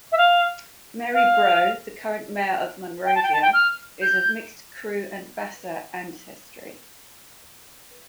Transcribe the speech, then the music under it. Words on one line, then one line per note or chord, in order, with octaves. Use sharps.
Mary Broh, the current mayor of Monrovia, is of mixed Kru and Bassa ancestry.
E5
F5
F5
G5
A5
G5
A5
G5
F6
G6